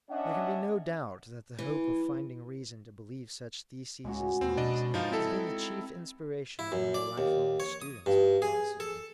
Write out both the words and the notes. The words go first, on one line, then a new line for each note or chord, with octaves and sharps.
There can be no doubt that the hope of finding reason to believe such theses as these has been the chief inspiration of many life-long students of philosophy.
C#4 D4 D#5 E5 F#5
E3
C#2 G#3 C#4 F#4
D#2 C4 B4
B2 D4 D5 D#5 B5
G2 F3 D#4 F4
C4 D#4 E4 A4
E4
F#2
D5
D#2
C#5
D#6
G2
G#4
A4